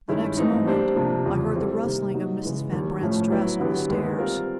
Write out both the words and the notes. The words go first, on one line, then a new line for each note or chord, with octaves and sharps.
The next moment I heard the rustling of Mrs. Van Brandt's dress on the stairs.
G2 D#3 G#3 C#4 E4
G#2 E3 A3 C4 D#4
G3 A#3 D4 G4 C5
C3 F3 A#3 D4
E2 C#3 F3
G3 C4 E4 A4 C5
C3 D#3 G3 A#3
F#3 A#3 D#4
C#3 E3 G#3
D#2 D#3 G3
A2 F3 A3 C#4
F#3 B3 E4
D3 F#3 B3 E4 G4
D#2 D#3 G#3 B3
G3 C4 F4 A#4